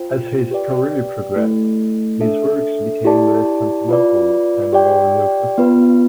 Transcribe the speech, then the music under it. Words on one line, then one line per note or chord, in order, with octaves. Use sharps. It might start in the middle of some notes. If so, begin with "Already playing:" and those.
As his career progressed, his works became less sentimental and more neoclassical.
Already playing: F4 C5 G5
G4 B4 D5 G5
A3 E4 A4
D4 A4 E5
E4 G4 D5 A5
F4 B4 D5
G4 D5 G5
B3 F4 B4